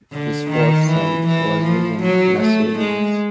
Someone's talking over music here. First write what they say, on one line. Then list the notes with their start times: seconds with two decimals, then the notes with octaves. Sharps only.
His fourth son was William Nassau Lees.
0.12 D3
0.51 D#3
0.89 E3
1.27 E3
1.64 F3
2.03 F#3
2.40 A3
2.79 G#3